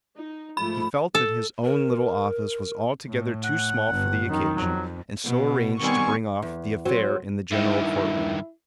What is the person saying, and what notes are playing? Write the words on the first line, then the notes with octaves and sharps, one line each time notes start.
He felt that his own little office was altogether too small for the occasion and so arranged to bring off the affair in the general courtroom.
D#4
G#2 F3 A3 B5
A4
A#4
A2
F#5
G1 G2
F#2 D#3
F2 F#3
B2
D#3 G3 B3 C4 G#5 C#6
E2
F#3 C4
G2 D#3 E4